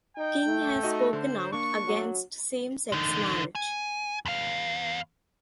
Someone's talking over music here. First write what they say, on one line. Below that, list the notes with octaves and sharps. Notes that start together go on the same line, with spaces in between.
King has spoken out against same-sex marriage.
D#4 G5
A3
D#4 F#4 D#5
D3 C5
A#3 D4 C#6
F#3
D3 D#4
G#5
E2 F5